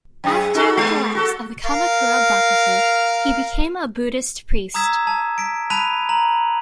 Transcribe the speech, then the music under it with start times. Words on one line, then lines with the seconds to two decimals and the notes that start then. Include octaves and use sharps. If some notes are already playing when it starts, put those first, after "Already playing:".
After the collapse of the Kamakura bakufu, he became a Buddhist priest.
0.24 F#2 G#4
0.55 D#4 F#4 A4
0.77 G#3 B3
1.15 F#4 A4
1.65 A#4 F5
4.74 A#5 D#6 E6 G#6 B6 E7
5.07 A5
5.38 B6 D7
5.70 A5 B5 F#6 B6 D#7 F7
6.09 A#5 F#7